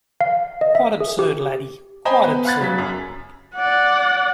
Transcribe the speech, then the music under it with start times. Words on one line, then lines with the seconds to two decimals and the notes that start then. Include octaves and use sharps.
Quite absurd, laddie — quite absurd.
0.21 F5
0.61 D#5
0.75 E5
1.00 G#4
1.19 G4
2.05 C5 D#5 G5 G#5 A#5 B5
2.20 B3 B4
2.45 F5 F#5 B5 F#6 G#6 A6
2.61 C#3 F#3 B6
2.78 F#2
3.55 D5 F#5